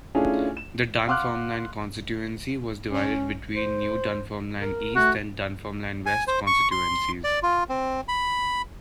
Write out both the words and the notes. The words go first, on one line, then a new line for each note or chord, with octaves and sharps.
The Dunfermline constituency was divided between new Dunfermline East and Dunfermline West constituencies.
A3 C#4 D4 E4 F4 G#4
E7
F5 F#5 C6 D6 F6 F#6
C#4
C5
A#4
A3 F#4
G#5
C5
C#6
C6
D5
F4
C4
B5